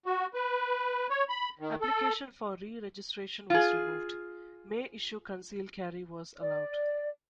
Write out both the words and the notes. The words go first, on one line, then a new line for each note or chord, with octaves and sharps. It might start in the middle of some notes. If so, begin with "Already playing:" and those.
Application for re-registration was removed, May issue concealed carry was allowed.
F#4
B4
C#5
B5
D#3
A4
F4 G#4
D5